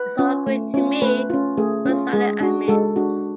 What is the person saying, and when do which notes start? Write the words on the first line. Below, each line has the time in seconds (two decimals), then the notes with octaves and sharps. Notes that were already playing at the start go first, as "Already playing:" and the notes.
It’s all Greek to me”, Rosalie admits.
Already playing: B4
0.19 C#4 F4
0.47 A3
0.74 C#4 F4
1.02 A3 B4
1.30 C#4 F4
1.57 A3 G#4
1.85 C#4 F4
2.13 G#3 G#4
2.41 D4 F#4
2.68 G#3 A4
2.96 D4 F#4